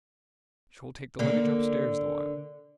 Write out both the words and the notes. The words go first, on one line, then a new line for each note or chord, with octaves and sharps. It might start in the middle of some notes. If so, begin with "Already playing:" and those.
'She'll take the luggage upstairs the while.
D3 A#3